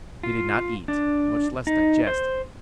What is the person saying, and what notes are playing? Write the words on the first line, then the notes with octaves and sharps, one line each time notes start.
They did not eat, much less digest.
F4
D4
D#4
C5